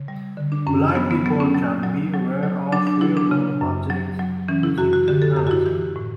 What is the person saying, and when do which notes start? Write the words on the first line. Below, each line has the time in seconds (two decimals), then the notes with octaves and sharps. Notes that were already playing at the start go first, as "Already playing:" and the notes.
Blind people can be aware of real world objects using technology.
Already playing: C#3
0.08 G3
0.37 D3
0.52 D4
0.67 F#2 C#4
0.95 F#3 B3
1.11 B3
1.26 F#3 B3
1.40 C#4
1.54 F#3
1.84 F#3
2.14 F#3
2.43 F#3
2.72 F#3 D4
2.87 D4
3.01 F#3 E4
3.17 D4
3.31 C#3
3.61 F#2
3.90 F#3
4.19 F#3
4.48 E3 C#4
4.63 E4
4.78 F#2 F#4
4.93 F#4
5.08 D3 G4
5.22 A4
5.36 F#2 G4
5.47 F#4
5.51 E4
5.66 E3 G4
5.96 A2